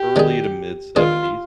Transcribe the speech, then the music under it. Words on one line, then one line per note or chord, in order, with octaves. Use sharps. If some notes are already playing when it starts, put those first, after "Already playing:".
early to mid-seventies,
Already playing: G4
D#3 G#3 D4 G#4
D#3 G#3 D4 F4 G#4